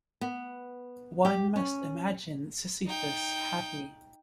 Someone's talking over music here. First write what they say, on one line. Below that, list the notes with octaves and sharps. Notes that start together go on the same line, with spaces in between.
One must imagine Sisyphus happy.
B3
G4
C#4
D#4 G5